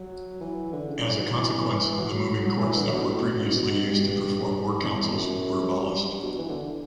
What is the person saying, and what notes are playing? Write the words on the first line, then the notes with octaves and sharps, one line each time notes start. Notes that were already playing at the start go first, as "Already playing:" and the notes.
As a consequence, the moving courts that were previously used to perform war councils were abolished.
Already playing: F#3
E3
D3
C#3
E3
F#3
E3
F#3
F#3
E3
D3
B2
A2
B2
C#3
B2
G2
E2
E2
F#2
G2
G2
B2
E3
D3